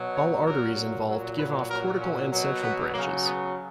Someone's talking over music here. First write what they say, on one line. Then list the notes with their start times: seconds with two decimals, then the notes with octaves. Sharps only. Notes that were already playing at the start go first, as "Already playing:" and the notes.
All arteries involved give off cortical and central branches.
Already playing: B2 F#3
0.15 C#5
0.46 A#2 F#3 A#4
1.08 A#2 F#3
1.39 B4
1.70 A#2 F#3 A#4
2.01 C#4
2.32 B2 F#3
2.63 B3
2.93 C#3 F#3 A#3
3.25 B3